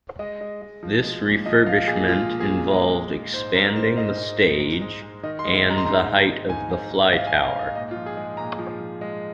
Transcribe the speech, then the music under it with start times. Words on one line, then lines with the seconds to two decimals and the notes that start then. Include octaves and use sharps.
This refurbishment involved expanding the stage and the height of the fly tower.
0.19 G#3 D#5
0.41 G#3
0.62 G#3
0.83 F3
1.04 G#3
1.25 A#2
1.46 F3 D#5
1.66 F3 F5
1.88 A#2 G#4
2.08 G#3 F4
2.29 A#2
2.40 G#4
2.50 A#2
2.71 G#3
2.93 G#3
3.13 G#3
3.34 G#2 C5
3.55 G#2 A#4
3.76 G#3 C5
3.97 G#2 D#5
4.18 G#2
4.39 G#3
4.60 G#2
4.81 G#3
5.02 G#3
5.23 D#3 D#5
5.39 C6
5.45 G#3
5.55 C6
5.65 G#2
5.70 A#5
5.78 C6
5.85 G#2 A#5
6.07 G#2
6.28 G#2
6.49 G#2 G#5
6.71 G#2
6.91 G#2
7.07 D#5
7.11 G#2 F5
7.27 G#5
7.33 G#2
7.43 F5
7.54 G#2
7.59 D#5
7.75 A#2 D#5
7.91 F4
7.96 F3
8.06 G#4
8.17 G#3
8.37 A#2 A#5
8.59 F3
8.80 F3
9.01 G#3